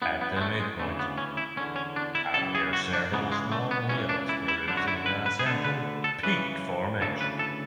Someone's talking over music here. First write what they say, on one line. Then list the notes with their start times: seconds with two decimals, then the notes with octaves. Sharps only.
At the midpoint appear several small hills producing a central peak formation.
0.02 F#2 E3 B3
0.21 B3
0.36 G#3
0.41 A3
0.60 G#3
0.78 D2 C#3 E3 A3
0.99 B3
1.18 C#4
1.37 E4
1.56 E2 D3 C#4
1.76 C#4
1.96 D4
2.15 E4
2.34 F#2 C#3 E3 A4
2.55 G#4
2.73 F#4
2.93 D4
3.12 C#2 C#3 E3 B3
3.32 G#3
3.52 A3
3.71 B3
3.89 C#2 C#3 E3 C#4
4.09 D4
4.29 E4
4.48 E4
4.67 F#2 D3 D4
4.77 F#4
4.88 E4
5.06 B4
5.26 B4
5.39 G#4
5.46 D2 A4
5.50 D3
5.64 B4
6.04 A4
6.23 F#2 C#3 E3 B4
7.00 D2 C#3 E3 A4
7.21 B4
7.39 A4